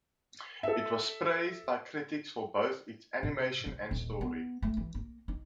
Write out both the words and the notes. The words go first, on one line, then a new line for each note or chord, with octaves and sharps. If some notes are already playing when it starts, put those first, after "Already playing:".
It was praised by critics for both its animation and story.
A4 E5
C3
C#3
D#1
B3
A3
E3
A#3
D#4